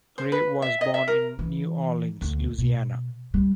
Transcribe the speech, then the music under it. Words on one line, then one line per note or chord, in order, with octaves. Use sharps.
Gray was born in New Orleans, Louisiana.
C5
B4
E5
D#5
E5
A#4
E3
D2
B2
G3